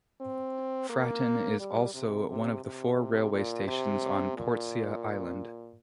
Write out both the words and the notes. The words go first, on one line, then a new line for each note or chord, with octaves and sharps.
Fratton is also one of the four railway stations on Portsea Island.
C4
A#3
G3
C3
C3
C3
A#2
C3
A#2